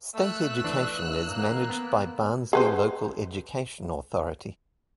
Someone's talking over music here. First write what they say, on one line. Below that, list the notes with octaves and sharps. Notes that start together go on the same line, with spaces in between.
State education is managed by Barnsley Local Education Authority.
A3 E6 F#6
E3 D4
A#3
B3
G#4 B4 C5